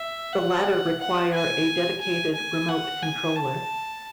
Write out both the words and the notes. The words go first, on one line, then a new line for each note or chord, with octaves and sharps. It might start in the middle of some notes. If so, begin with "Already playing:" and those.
The latter require a dedicated remote controller.
Already playing: E5
F#5
F#5
G#5
G#5
G#5
F#5
G#5
A5